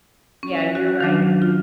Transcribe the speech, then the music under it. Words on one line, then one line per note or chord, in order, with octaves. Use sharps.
yeah, you're right.
C#4
F#4
D#3 F#3 D4
F4